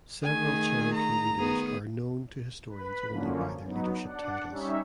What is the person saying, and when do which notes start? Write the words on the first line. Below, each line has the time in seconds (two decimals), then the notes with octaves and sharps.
Several Cherokee leaders are known to historians only by their leadership titles.
0.23 D#3 A3 G#4 G#5
0.93 A#5
1.38 D#3 B3 G#4
2.68 B4 B5
3.09 F#2 D3 F3 A#3 C#4
3.63 F#3 B3 D#4
4.03 D4 D5 F#5
4.49 G3 C#4 D#4 C#5 E5